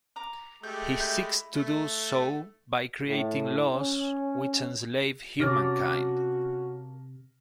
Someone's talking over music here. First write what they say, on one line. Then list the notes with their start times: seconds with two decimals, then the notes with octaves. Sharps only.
He seeks to do so by creating laws which enslave humankind.
0.16 A#5 D6
0.63 G#3 A3 G4 G6
0.99 E4 G6
1.55 A3
3.07 A2
3.73 C#4
5.40 C3 A#3 C#4 F#4 A4 D5 F6 A#6